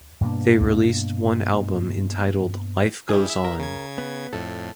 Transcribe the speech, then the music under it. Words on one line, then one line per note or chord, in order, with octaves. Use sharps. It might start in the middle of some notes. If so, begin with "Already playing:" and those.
They released one album entitled "Life Goes On".
G2 B2 A#3 D4
G2 G3 E4 G#4
E5
A#4
C#3 G#6
B3
F2 A2 A4